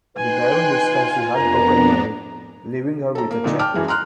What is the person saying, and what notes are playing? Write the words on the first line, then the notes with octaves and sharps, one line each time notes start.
The baron discards the heartbroken Marie, leaving her with a check.
D#4 B4 G5 G#5 C6 F#6
F4
F2 A2 G3 B3 D4 A#4 A#5
A4 A#5
A#3
A#2 D3 D#4
G5 A5 D6 F6
F#2 E3 G#3
A#5 C6 F6 F#6